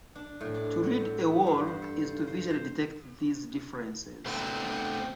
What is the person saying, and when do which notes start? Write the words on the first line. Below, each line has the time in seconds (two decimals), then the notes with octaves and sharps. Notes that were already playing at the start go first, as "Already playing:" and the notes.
To "read a wall" is to visually detect these differences.
0.15 D4
0.41 A2
0.54 D4
0.84 F#4
1.00 C4
1.21 B3
1.47 G2
1.68 C5
1.82 A4
1.98 C5
2.27 C5
2.50 C5
4.26 B2 A3 C4 B4 C5